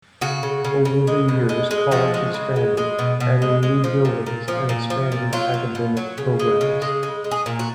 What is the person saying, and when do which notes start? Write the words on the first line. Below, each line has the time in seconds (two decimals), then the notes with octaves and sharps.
Over the years the college expanded, adding new buildings and expanding academic programs.
0.21 C#3 F#4
0.43 C#3
0.65 C#3
0.85 C#3
1.07 G#3
1.28 B2
1.49 G#3
1.71 G#3
1.91 F3 F#4
2.14 G#3
2.34 C#3
2.56 G#3
2.77 G#3
2.99 B2
3.20 B2
3.42 G#3
3.63 G#3
3.84 F3
4.05 A#2
4.26 A#2
4.48 F3
4.69 A#2
4.90 F3
5.12 A#2
5.33 F#3 F4
5.54 F#3
5.75 B2
5.97 F#3
6.18 C#3
6.40 G#3
6.61 C#3
6.82 G#3
7.03 G#3
7.24 G#3
7.31 G#4
7.46 A#2
7.59 F#4